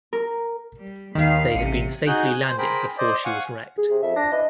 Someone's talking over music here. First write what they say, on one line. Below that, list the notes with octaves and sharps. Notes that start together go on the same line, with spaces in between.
They had been safely landed before she was wrecked.
A#4
G3
D#2 D#3 B4 F5
A1 C3 C#7 D#7
D#4 F#4 G#4 F#6 G6
G#5
C5
G#4 A#4 C5 G5 B5
C5 D5 D#5
F5 F#5 G#5 C#6
G#4
C3
F2 E5
D4 A#6
E3 D#5